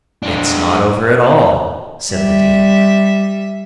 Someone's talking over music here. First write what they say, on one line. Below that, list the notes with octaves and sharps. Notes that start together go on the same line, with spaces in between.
"It's not over at all," said the dean.
G#3 D4
G3 E5